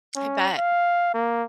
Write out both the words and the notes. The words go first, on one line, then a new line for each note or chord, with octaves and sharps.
I bet.
C#4
F5
A#3